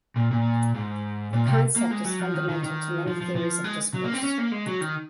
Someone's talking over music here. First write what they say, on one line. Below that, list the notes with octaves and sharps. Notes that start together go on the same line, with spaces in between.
The concept is fundamental to many theories of discourse.
A#2
A#2
G#2
A#2
C3
A#3
G#3
F#3
F3
D#3
D#3
D#3
F3
F3
F3
G#3
F#3
A#3
C4
C#4
A#3
G#3
F#3
D#3